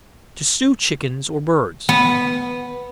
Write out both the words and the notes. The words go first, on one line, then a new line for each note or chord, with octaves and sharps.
To Stew Chickens or Birds.
B3